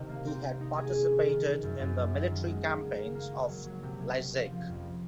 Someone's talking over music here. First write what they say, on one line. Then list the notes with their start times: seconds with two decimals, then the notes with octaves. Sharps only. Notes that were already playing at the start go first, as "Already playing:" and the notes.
He had participated in the military campaigns of Leszek.
Already playing: C3 D#3
0.09 A#3
0.27 C4
0.44 C4
0.61 D#4
0.78 G#4
0.95 C#4
1.11 C#4
1.28 D#3
1.45 D#3
1.63 F#2
1.79 F#2
1.97 F#3
2.14 F#3
2.31 D#3
2.48 G#3
2.64 A#3
2.81 C#3
2.98 A#3
3.15 A#3
3.32 F#4
3.49 F#3
3.66 F#3
3.83 C3
4.01 C#4
4.17 C#4
4.34 F3
4.51 F3
4.69 F2